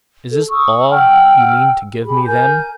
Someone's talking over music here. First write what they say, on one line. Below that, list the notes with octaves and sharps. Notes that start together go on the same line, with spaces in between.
'Is this all you mean to give me, then?'
A4
C#6 D#6 E6
F#5 G5 E6 F6
G4 G#4 B5
A#4 G#5 G6